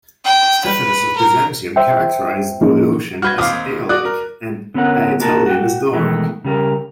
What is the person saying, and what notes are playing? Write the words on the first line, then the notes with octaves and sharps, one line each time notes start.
Stephanus of Byzantium characterized Boeotian as Aeolic and Aetolian as Doric.
G5
B4
A#4
C5 E5 G5
A2 F3 A#3 C#4 D#4 E4
F#4 B4 F6 G6 G#6
D#2 C4 F5 D6 D#6
F#4 D5 D#6 F#6
A#4
D3 B3 C#4 A#4 F#5
A#3 F#4 A#4 A5
F#4 G5
B2 D#3 E3 G#3 A3
C#3 G3 A#4